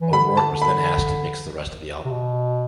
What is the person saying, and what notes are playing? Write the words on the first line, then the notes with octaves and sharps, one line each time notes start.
O'Rourke was then asked to mix the rest of the album.
E3
D3 B5
A5
B5
C3
B2